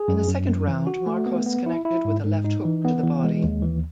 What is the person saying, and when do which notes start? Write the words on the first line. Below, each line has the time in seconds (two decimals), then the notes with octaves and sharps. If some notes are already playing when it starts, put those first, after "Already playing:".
In the second round, Marcos connected with a left hook to the body.
Already playing: G#4
0.08 F#2
0.28 F#2
0.48 F#2
0.68 E3
0.87 F#4
1.06 A3
1.26 B3
1.46 B3
1.66 E4
1.85 E4
2.05 G#2
2.24 G#2
2.45 D#4
2.65 E3
2.85 B3
3.03 E3
3.24 G#3
3.44 D#2
3.62 E3